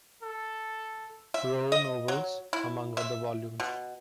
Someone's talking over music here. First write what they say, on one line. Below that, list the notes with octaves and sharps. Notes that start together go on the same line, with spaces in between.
Roe novels among other volumes.
A4
E5
D#5
F#3
E4
E5
B2